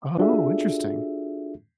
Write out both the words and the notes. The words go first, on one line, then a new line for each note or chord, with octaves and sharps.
Oh, interesting.
D4 F4 F#4 G#4 A4 E5